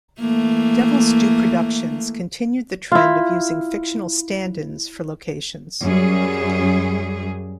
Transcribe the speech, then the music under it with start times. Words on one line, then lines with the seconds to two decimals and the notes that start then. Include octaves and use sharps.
Devil's Due Productions continued the trend of using fictional stand-ins for locations.
0.19 E3 A3 A#3
2.92 E4 F4
5.82 F#2 G3 G#4